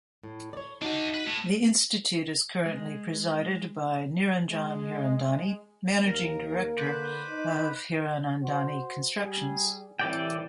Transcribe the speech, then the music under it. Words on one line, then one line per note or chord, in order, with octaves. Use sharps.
The institute is currently presided by Niranjan Hirandani, Managing Director of Hiranandani Constructions.
A2
C#5 D5
D4 D#4 F#4 E5
B4 B5
A2
G#3
G#3
G#3
D#2 A#3 A#4
D3 B4 C5 B5 D6
D#4
F#4 C5
G3 G#4
C2 A2 E3 D5 G5